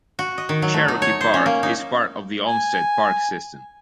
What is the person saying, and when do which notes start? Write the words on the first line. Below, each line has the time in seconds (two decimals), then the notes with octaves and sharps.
Cherokee Park is part of the Olmsted Park system.
0.19 F#4
0.38 D#5
0.49 D#3
0.62 F#3
0.74 A3
0.88 D#4
1.02 C#5
1.21 C5
1.34 C#4
1.46 A#3
1.63 D#4
2.46 G#5